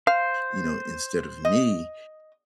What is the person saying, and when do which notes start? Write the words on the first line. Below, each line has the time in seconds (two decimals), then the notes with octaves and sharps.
you know, instead of me,
0.07 C5 F5
1.45 D#5